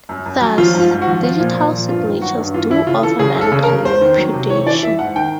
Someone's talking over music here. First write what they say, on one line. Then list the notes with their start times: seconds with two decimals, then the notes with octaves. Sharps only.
Thus, digital signatures do offer non-repudiation.
0.09 F#2
0.26 F#2
0.41 F#3
0.58 F3 F4
0.74 G#2
0.80 F4
0.91 G#2
1.02 F#4
1.07 F3
1.23 F3 F4
1.40 A#2
1.56 A#2
1.73 F3
1.88 G2 F4
2.05 D#3
2.22 F#3 F#4
2.38 G2
2.54 E3 F4
2.70 E3 E4
2.87 C#3 F4
3.03 E3 A4
3.19 C#3 G#4
3.36 F#2
3.41 A4
3.52 C#3
3.63 A#4
3.69 C#3
3.85 E2 C5
4.01 D#3
4.18 F#3
4.33 C3
4.50 E3 C#5
4.66 E3 D5
4.83 E3 E5
4.99 G#2 F#5
5.16 D#3 G5